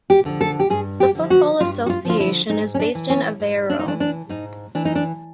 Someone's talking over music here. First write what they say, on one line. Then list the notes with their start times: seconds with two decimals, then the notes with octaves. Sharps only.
The Football Association is based in Aveiro.
0.10 G4
0.26 D3 F3
0.41 A4
0.59 G4
0.70 G2 G#4
1.00 G4
1.15 D3 F3
1.30 F#4
1.60 G2 F4
1.86 F#4
1.90 F4
2.05 D3 F3 F4
2.20 E4
2.50 G#2 D#4
2.74 C#4
2.79 D4
2.95 E3
3.10 C#4
3.40 G#2
3.70 D4
3.79 D#4
3.85 E3 D4
4.00 D4
4.29 G#2 D#4
4.75 E3 D4
4.85 D#4
4.95 D4